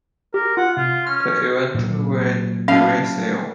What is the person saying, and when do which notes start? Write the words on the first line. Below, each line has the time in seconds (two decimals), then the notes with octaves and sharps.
The events were divisive.
0.34 G4 A#4
0.57 F4 F#5
0.77 C3 F4
1.07 C#4 F6
1.74 A#2 F#3
2.68 A2 C#4 F5